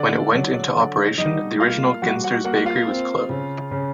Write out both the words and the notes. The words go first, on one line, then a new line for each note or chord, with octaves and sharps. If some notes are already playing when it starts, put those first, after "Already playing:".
When it went into operation the original Ginsters bakery was closed.
Already playing: D3 D5
F#3
D3
G3 D#4 D#5
A#3 F4 F5
G3 F#4 F#5
F#4 F#5
A#3 F#4 F#5
F4 F5
C4
C#3
C#3